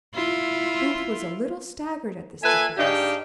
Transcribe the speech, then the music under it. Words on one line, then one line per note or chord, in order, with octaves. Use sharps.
Booth was a little staggered at this defence.
E4 F4
A#2 A4 B4 E5 G#5
G#2 D4 D#4 G4 F5 G5